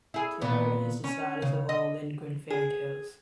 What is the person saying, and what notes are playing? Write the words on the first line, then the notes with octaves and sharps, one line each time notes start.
To her is the saddest of all Lindgren fairy tales.
E4 G#4
A#2 B3
C#4
C#3
D#5
G#4